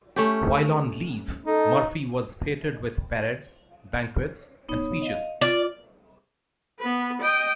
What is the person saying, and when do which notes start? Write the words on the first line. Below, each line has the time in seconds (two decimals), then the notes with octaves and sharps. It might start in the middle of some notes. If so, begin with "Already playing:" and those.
While on leave, Murphy was feted with parades, banquets, and speeches.
0.16 A3 C#4 G4
1.46 D#4 A4
4.69 B3 D#4 C#5
5.02 D#5 F5
5.41 F4 D5
6.80 B3 B4
7.22 D#5 G5